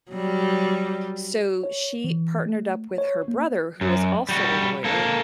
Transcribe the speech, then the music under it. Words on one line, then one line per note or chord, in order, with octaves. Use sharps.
So she partnered up with her brother, who was also a lawyer,
F#3 G3
C#5
E3
A3
C#5
A#3
F#2
G3 F#4
A#3 A4